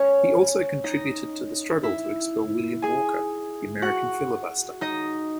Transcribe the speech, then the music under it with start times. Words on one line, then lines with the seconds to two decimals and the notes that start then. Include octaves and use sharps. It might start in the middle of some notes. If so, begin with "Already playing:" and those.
He also contributed to the struggle to expel William Walker, the American filibuster.
Already playing: C#4 C#5
0.84 D#4 D#5
1.83 E4 E5
2.82 G#4 G#5
3.82 F#4 F#5
4.81 D#4 D#5